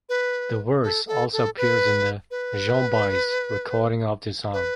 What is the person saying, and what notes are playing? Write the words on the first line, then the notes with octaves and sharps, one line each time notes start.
The verse also appears in the Joan Baez recording of the song.
B4
A4
A4
A4
B4
B4
B4